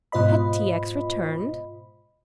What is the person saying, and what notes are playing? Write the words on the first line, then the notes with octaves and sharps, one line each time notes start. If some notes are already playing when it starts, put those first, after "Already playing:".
Had T. X. returned!
G#2 B2 F4 C5 D#5 B5